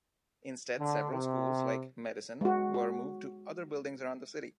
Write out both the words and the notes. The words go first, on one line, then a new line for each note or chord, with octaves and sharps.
Instead several schools, like Medicine, were moved to other buildings around the city.
D3
C3
G#3 F#4
F#4